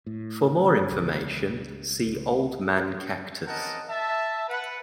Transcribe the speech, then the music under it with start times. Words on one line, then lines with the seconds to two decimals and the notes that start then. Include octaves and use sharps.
For more information see Old-Man Cactus.
0.06 A2
0.91 C#2
2.07 C#2
3.46 C4 C#4 A#4 D#5 F#5 A5
3.89 E5 A5
4.48 B4 F#5